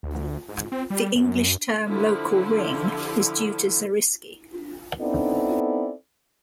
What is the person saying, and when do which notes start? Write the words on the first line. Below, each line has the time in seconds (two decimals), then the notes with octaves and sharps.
The English term "local ring" is due to Zariski.
0.03 D2
0.49 G#2
0.72 C4
0.90 G3
1.15 F#2
1.86 D3 F3 E4
5.00 B3 C4 D#4 E4 A4 D5